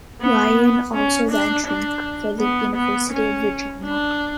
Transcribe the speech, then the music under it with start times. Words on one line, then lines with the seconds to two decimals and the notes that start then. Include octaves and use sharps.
Ryan also ran track for the University of Regina.
0.21 B3
0.94 C#4
1.31 D4
1.67 D4
2.39 B3
2.75 B3
3.12 C#4
3.84 D4